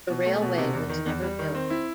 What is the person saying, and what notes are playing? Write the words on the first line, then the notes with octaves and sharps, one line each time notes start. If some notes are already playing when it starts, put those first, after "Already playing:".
The railway was never built.
B2
A3
B2
C3
E2
D#3
E2
G3
D#3
C4
E4